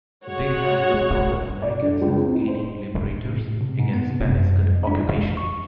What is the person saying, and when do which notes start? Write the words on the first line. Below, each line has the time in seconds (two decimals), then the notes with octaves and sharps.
They had looked on the Americans as aiding liberators against Spanish occupation.
0.25 G#3 F#4 C#5 F#5
1.62 D5
1.82 D3
2.02 C#2
2.18 C4
2.34 D#4
2.48 C5
3.25 A2
3.47 A2
3.61 C3
3.79 G#2
3.93 B3
4.10 C3
4.28 F#2
4.70 F2
4.87 D4
5.08 G#3
5.20 E2
5.37 C#6